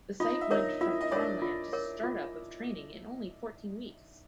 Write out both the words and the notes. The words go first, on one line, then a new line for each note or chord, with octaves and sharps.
The site went from farmland to start-up of training in only fourteen weeks.
D#4 F4 D#5
E5
D#4 A#4 C#5 D#5
E4 F4 E5
D#5
D4 A#4 C#5 D5
F4
A#4 C#5
F4